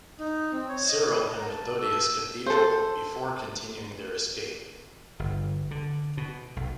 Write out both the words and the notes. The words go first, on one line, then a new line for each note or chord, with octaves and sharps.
Cyril and Methodius Cathedral before continuing their escape.
D#4
C4
C#5
D#5
D#5
A#4
A5
A4
E6
A4 C5
G1
D3
B2
B1